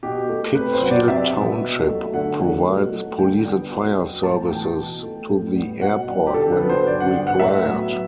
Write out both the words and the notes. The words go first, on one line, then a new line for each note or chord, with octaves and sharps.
Pittsfield Township provides police and fire services to the airport when required.
B2 G4
A3
C3 B4
C5
F#3 B3
D5
C3 E5
G3 B3
B2
F#3 A3
D3 F#5
F#3 A3
B2
F#3 A3
D3 G5
G3 B3
B2
F#3 B3
A2 A5
E3 B3 G5
B2
A3
A2
G3 B3
B2 F#5
G3 B3
G4
D3 A4
B4
F#3 B3
C5
D3 D5
F#5
G3 B3
F#5
A2 E5
F#3 B3